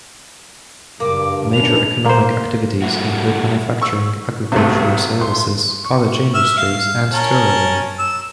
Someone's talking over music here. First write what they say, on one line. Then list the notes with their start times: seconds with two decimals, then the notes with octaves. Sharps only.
Major economic activities include manufacturing, agriculture, services, cottage industries and tourism.
1.00 F#1 G2 A#3 D6
1.53 G#2 E3 C#4 D4 F7
2.05 A#3 C5
2.82 G3 A3 A#3 C4 E4 F#4
3.82 C#6 E6
4.52 B1 G2 C3 A3
5.21 C6
5.85 C#6
6.34 E5 E6 F6
6.57 F5
7.13 C#4 A#4 A5
7.99 E6